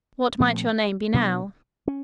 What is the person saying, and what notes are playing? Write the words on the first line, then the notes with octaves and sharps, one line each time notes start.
"What might your name be, now?"
A#2 F3 A3 C4
B2 F#3 B3 D4
C#4